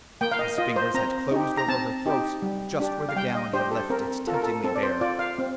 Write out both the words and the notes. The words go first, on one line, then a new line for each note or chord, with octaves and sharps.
His fingers had closed over her throat just where the gown had left it temptingly bare.
A#3 G5
F5
D#5
F4 D#5
C5
C4 A#5
D#4 G4
A#5
C4 A5
D#4 G4
G3
D4 G4
F5
G3 G5
D#5
D4 G4 C5
A4
C4 A#4
F4 A4
A#4
A4
C4 A4
D5
C5
F4 D5
F5
C4